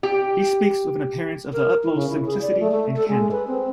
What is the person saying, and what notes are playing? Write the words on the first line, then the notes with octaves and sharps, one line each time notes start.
He speaks with an appearance of the utmost simplicity and candour.
G4
A#4
E4
C#3
E4
G#4
D5
A3
A3
A4
G#3
B4
C4